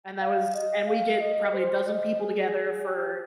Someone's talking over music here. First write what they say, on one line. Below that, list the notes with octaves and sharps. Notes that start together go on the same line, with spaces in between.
And that was and we get probably a dozen people together for
F5
D#5
F5
D#5
C5
D#5
G#4
G4